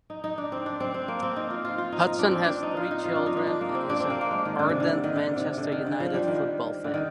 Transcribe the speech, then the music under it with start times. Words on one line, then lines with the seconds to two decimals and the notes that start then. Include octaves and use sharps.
Hudson has three children and is an "ardent Manchester United football fan".
0.10 D#4
0.24 D#4
0.38 D4
0.52 C4
0.66 D4
0.80 C4
0.94 C4
1.08 A#3
1.23 C4
1.36 D#4
1.50 F4
1.65 F4
1.78 F4
1.92 D#4
2.07 D#4
2.19 D4
2.31 C4
2.44 D4
2.63 D#4
2.77 F4
2.91 D#4
3.05 F4
3.15 D4
3.26 D#4
3.37 D#4
3.47 D4
3.61 A#3
3.75 C4
3.90 D4
4.00 C4
4.10 A#3
4.21 A#3
4.31 G#3
4.45 D#3
4.59 D3
4.69 C3
4.80 D3
5.04 D#3
5.16 D3
5.37 C3
5.58 D3
5.72 D#3
5.86 D3
6.00 F3
6.14 G3
6.28 D#3
6.84 D3
6.94 D#3